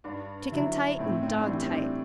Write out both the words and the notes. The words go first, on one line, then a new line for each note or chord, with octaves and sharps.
Chicken-tight and dog-tight.
G2 D4
D3 F#3 E4
A2 C4
C4
D4
E3 G3 C4
C4
D4